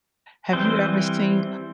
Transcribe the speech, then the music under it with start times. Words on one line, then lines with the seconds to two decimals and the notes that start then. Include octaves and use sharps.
Have you ever seen?
0.53 E3 G3 C4 C5